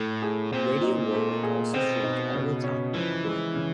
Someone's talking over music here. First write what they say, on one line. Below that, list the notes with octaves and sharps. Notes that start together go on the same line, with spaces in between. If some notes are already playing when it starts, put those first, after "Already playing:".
Radio Warwick also streams all its output online.
Already playing: A2 A3
G#4
A#2 C4
D#4
A3
G#4
B2 C4
D#4
C#3
C#4
E3 F3
G#3
C#3